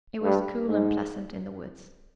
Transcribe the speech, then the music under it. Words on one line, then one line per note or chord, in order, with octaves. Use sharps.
It was cool and pleasant in the woods.
G2
G#2